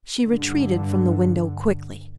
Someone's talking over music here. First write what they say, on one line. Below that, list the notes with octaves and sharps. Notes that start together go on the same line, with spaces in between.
She retreated from the window quickly.
G2 D3